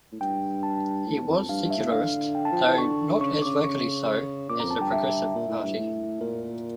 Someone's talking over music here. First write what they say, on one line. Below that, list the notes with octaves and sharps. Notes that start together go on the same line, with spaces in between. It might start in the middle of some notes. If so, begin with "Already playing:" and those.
It was secularist, though not as vocally so as the Progressive Party.
A2
G2 G5
A5
A2
E2
F2
G2 F5
G2
E5
A2
D3 F5
G5
A5
F3 G5
E3 A5
D3 C#6
C#3 C#6
D3
C#3 D6
C#3 C#6
A#2 D6
A#5
F2
A5
G2 G5
E5
A#2
A2
G2
A2
A#2 A#4